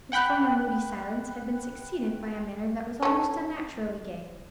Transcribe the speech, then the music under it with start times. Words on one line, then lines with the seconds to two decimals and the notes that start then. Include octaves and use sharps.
His former moody silence had been succeeded by a manner that was almost unnaturally gay.
0.12 F#5 G5 B5 F#6
3.02 C#4 A4